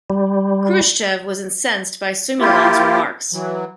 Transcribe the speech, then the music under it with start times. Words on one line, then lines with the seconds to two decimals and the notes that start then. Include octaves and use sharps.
Khrushchev was incensed by Sumulong's remarks.
0.10 G3
2.40 A#3 E4 F4 G4
3.33 E3 F#3